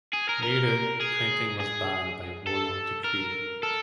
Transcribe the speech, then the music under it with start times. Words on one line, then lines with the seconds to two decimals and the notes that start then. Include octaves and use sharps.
Later, printing was banned by royal decree.
0.14 G#4
0.29 A#4
0.43 A#4
1.01 G#4
1.60 G#4
2.47 A4
3.04 A#4
3.63 A4